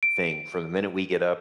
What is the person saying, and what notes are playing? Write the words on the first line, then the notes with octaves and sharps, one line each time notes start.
thing., from the minute we get up
D7